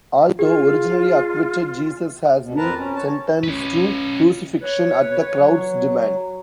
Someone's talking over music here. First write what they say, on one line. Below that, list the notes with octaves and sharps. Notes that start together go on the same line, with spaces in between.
Although originally acquitted, Jesus has been sentenced to crucifixion at the crowd's demand.
F4 G#4
D2 B2
F2 C4 A#4 B4 A5 A#5
C#4
C#5 A5
C#4 B4
B4 C#5
F#3